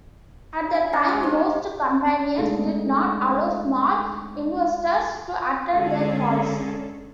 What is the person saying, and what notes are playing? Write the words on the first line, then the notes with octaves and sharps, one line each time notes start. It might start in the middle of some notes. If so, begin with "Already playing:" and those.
At the time, most companies did not allow small investors to attend their calls.
G#5
C#4
G#3
F3
G#3 A3 D4 D#4 G#4 A4
D3 G#3 C#4 G#4 A4